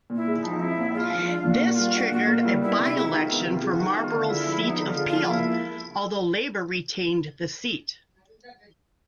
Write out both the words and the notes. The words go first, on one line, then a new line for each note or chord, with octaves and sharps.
This triggered a by-election for Marlborough's seat of Peel, although Labor retained the seat.
A#2
E4
G#3
E4
F3 D#4
C4 E4
A#2
G#3 F4
F3
D4 F4
A#2
F#4
A#3
F4
G3
D4 F#4
A#2 F#4
A#3 F4
G3 E4
B3 E4
C3 E4
G#3 E4
D#4
D#3
F4
B3 E4
C3
F4
G#3
F#4
D#3
B3 F4 F#4
D3
G#3 E4
F3
B3 D#4 E4
D3
F4
G#3
F4
F3
A#3 E4